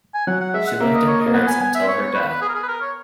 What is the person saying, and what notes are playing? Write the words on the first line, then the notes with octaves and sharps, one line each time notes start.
She lived in Paris until her death.
G#5
F#3 F#5
F#5
G#3 E5
F#5
A#3 E5
D#5
C#5
D#5
A#3
B3 F#5
G#5
B3 G#5
E5
B3 C#5
C#5
B4
B4
G#4
A#4
G#4
B4
A#4
C#5